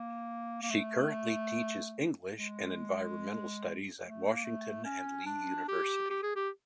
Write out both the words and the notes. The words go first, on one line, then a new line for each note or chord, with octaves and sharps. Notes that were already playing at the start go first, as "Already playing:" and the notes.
She currently teaches English and Environmental Studies at Washington and Lee University.
Already playing: A#3
A#3
A3
G#3
A3
A#3
A3
C#4
D4
G4
G4
G#4
G4